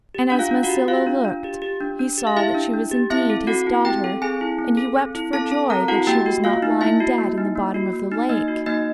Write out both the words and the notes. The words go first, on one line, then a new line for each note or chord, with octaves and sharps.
And as Masilo looked, he saw that she was indeed his daughter, and he wept for joy that she was not lying dead in the bottom of the lake.
G4
D4 F#5
F4 F5
D4
F#4 F#5
G4
F4 G4 F5
D4
D4
G4
G4
D4
D4
G4
F5
E4 G4 E5
D4
D4
G4
C4 E4 E5
A4
C4 F#4 F#5
E4
C4 G4 G5
A4
C4 G#4 G#5
E4
C4
A4
C4
E4
C4 A4 A5
A4 A5
C4 A#4 A#5
E4 F#4 F#5
A#3 G4 G5
F#4
A#3 F4 F5
D#4
A#3 E4 E5
F#4
A#3
D#4
A#3
F#4
A#3
D#4
A#3 D#4 D#5
F#4
A#3 D#4 D#5